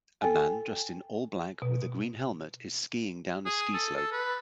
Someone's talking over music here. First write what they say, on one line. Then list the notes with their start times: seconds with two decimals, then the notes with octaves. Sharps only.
A man dressed in all black with a green helmet is skiing down a ski slope.
0.22 A4 G5 G#5
1.62 B2
3.45 G#4
3.74 A4
3.96 A4
4.12 B4